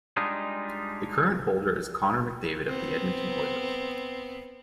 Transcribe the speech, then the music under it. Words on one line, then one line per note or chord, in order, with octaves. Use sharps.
The current holder is Connor McDavid of the Edmonton Oilers.
G3 G#3 D4 D#4 F4 G#4
B3 C4